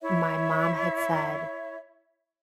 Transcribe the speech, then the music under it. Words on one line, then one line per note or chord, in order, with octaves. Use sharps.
My mom had said,
E4 C#5 E5